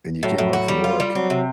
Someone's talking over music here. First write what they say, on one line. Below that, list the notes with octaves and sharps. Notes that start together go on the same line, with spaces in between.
and you came home from work,
A2 F#3
A2
F#4
G3
F4
G3
F#3 C4
C3